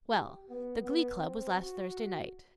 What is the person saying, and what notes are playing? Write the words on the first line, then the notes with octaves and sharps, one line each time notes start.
"Well--the glee club was last Thursday night."
G4
B3
B3
C4
F#4